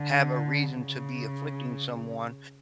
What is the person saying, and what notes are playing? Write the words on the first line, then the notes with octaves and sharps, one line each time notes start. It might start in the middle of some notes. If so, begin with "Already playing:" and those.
have a reason to be afflicting someone,
Already playing: D3
C#3